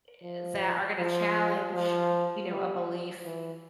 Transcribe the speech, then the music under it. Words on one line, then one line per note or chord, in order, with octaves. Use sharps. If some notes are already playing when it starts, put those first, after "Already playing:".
eh that are gonna challenge, you know, a belief
F3
F3
F3
G3
E3